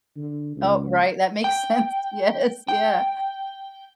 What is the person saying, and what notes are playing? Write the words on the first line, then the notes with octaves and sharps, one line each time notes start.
Oh, right, that makes sense, yes, yeah.
D3
C#2
G5
G5